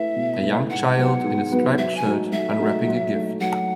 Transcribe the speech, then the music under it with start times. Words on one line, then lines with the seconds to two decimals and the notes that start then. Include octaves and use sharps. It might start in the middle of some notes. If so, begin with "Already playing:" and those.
A young child in a striped shirt unwrapping a gift.
Already playing: A3 E4 B4 E5
0.16 B2
0.43 A3 E4 B4
0.70 G#2 F#5
0.97 F#3 B3 F#4 B4
1.24 G#2
1.52 F#3 B3 F#4 B4
1.78 F#3 E5
1.97 G#5
2.05 A3 D#4 F#4 A4
2.32 F#3 E5
2.59 A3 D#4 F#4 A4
2.87 F#3
3.13 A3 D#4
3.40 F#3 F#5